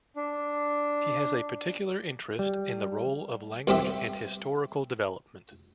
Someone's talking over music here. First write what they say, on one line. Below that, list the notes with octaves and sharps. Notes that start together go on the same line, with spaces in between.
He has a particular interest in the role of language in historical development.
D4
G3
C2 C3 C4 G4 E5